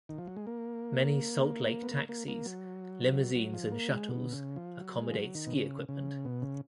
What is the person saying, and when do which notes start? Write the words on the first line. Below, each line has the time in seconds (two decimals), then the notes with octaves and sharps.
Many Salt Lake taxis, limousines and shuttles accommodate ski equipment.
0.09 D#3
0.18 F3
0.27 F#3
0.37 G#3
0.47 A#3
1.83 B3
1.91 A#3
2.09 A#3
2.28 A#3
2.46 F#3
3.35 F#3
3.53 F3
3.72 A#3
3.90 G#3
4.08 B2
4.32 C#3
4.56 F3
4.80 F#3
4.98 G#3
5.08 F3
5.16 F#3
5.35 D#3
5.47 B2
5.53 C#3
5.89 C#3
6.25 B2
6.42 C#3